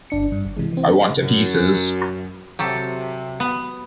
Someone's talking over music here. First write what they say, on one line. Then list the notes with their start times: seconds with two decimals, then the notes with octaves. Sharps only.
I want to pieces.
0.10 G1 D4 C#7
0.32 G2
0.45 G#1
0.57 C3 E3 G#3
0.73 E3 C4
0.88 C4 D4 A4
1.17 F#2
2.59 C3 F#3 G4 A4
3.40 B3